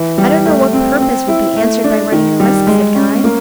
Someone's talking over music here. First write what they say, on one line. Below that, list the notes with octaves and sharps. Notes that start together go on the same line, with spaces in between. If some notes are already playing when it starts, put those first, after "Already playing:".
'I don't know what purpose would be answered by running the risk,' said Guy.
Already playing: E3
G3
A3
C4
C4
E4
A3
D4
D#3
G3
G#3
C#4
A#3